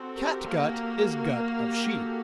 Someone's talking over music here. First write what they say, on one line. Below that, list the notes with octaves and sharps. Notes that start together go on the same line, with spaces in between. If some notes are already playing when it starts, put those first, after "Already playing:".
Catgut is gut of sheep.
Already playing: C4 F#4 A4
G4 A#4
A#3 G4
G4
F#4
G4
F#4 A4